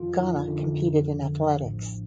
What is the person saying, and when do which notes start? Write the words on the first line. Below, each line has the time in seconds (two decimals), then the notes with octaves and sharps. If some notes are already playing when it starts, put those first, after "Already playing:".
Ghana competed in athletics.
Already playing: F2 D#3 F3 F4
0.19 D#3 D#4
0.47 D3 D4
0.75 F2 D3 F3
1.60 A1 A2 F3